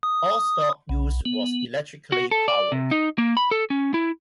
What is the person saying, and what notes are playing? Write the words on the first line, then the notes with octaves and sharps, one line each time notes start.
All stock used was electrically powered.
D#6
B1
B3
F#4
A4
D5
C3
D#4
A#3
B5
A4
C#4
E4